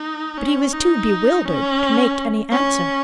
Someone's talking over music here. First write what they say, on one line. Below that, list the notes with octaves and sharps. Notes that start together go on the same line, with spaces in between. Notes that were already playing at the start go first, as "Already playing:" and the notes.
But he was too bewildered to make any answer.
Already playing: D#4
C#4
D#4
C#4
C#4